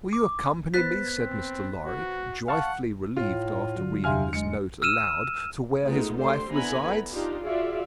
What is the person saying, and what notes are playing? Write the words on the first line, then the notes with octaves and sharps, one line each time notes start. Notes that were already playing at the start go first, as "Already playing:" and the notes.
"Will you accompany me," said Mr. Lorry, joyfully relieved after reading this note aloud, "to where his wife resides?"
D6
B3 C5 F#6 A6 B6
C4
F#4
F5 F#5 A5 C#6
A2 F4
D3 F#3 F#4
E2 C3 D4 F5 G#5 C6 F6
G#3 C#7
E6 F6 D#7 E7
G#3 A3 B3 D#4 F4
D3 A3 G4 A4 C5 C6
D3 B3 E4 G#5 A#5 B5
D4 D#4 F4 G4
F4 F#4 G#4 D5 E5 F5